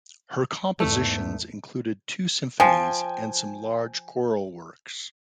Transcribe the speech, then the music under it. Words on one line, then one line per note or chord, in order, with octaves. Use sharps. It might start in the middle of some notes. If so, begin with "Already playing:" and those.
Her compositions included two symphonies and some large choral works.
E2 G#2 A3
F3 G5 G#5